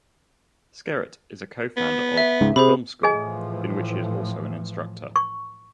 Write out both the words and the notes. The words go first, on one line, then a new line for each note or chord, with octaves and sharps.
Skerritt is a co-founder of TheFilmSchool, in which he is also an instructor.
B3
E5
C#2 G#2
C3 G#4 C5 B5
A2 E3 F3 G#4 D#5 G#5
C#6